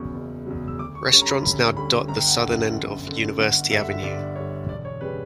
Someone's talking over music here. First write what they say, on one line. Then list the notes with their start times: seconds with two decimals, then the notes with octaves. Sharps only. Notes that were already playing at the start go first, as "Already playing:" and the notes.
Restaurants now dot the southern end of University Avenue.
Already playing: F#1 E2 C#3 F#3 C#6
0.15 F#1
0.46 E2 C#3 F#3
0.68 E6
0.79 D2 D6
0.95 C#6
1.11 D3 G3 C#4 C#6
1.22 A#5
1.28 B5
1.43 D2 B5
1.76 D3 G3 C#4 B5
2.08 G1 A#5
2.18 G5
2.26 F#5
2.36 G5
2.41 F#2 D3
2.74 G1
3.07 F#2 D3
3.39 G1 F#5
3.71 G2 D3 E5
3.80 F#5
3.90 E5
4.03 G1 D5
4.36 G2 D3 C#5
4.69 E1 D5
4.85 C#5
5.01 C#3 G3 B4